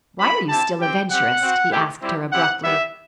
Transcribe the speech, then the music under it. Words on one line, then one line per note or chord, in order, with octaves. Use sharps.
"Why are you still a Venturist?" he asked her abruptly.
G3 C4 E4 B5
C4 E4 G4 A5
C4 G4 G5
C4 G4 F#5
C4 F#4
A3 E4 G4
G3 C4 E4 G4
C4 E4 G4 F#5
G3 B3 E4 G4 E5